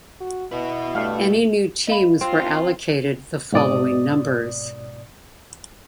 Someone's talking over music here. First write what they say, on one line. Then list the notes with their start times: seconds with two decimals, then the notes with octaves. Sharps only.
Any new teams were allocated the following numbers.
0.20 F#4
0.52 B2 E4 F#4 B4
0.95 G2 A3 F5
1.87 D#5 F5 B5
2.21 C4 F4
3.52 G#2 B2 D5 D#6